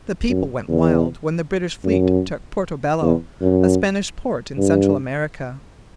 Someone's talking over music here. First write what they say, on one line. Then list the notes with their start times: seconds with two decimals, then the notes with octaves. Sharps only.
The people went wild when the British fleet took Porto Bello, a Spanish port in Central America.
0.29 F#2
0.68 E2
1.85 F#2
3.02 E2
3.41 F#2
4.58 G2